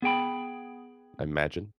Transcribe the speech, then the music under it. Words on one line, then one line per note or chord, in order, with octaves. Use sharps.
I imagine.
B3 G#4 G5 B5